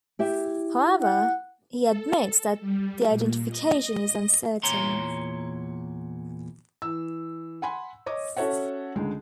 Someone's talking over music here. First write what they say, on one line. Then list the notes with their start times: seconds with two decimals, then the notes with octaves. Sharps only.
However, he admits that the identification is uncertain.
0.19 E4 G4 E5
1.02 F#5
1.83 A4
2.60 G3
3.09 A#2
3.49 D#5
4.63 E2 A#2 C#5 A#5 C6
6.82 E3 E6
7.62 F#5 G#5 B5 C6
8.06 C#5 D#5 D6 D#6
8.36 C#4 F#4 A4 C#5 E5 F#5
8.95 C#2 D3 G#3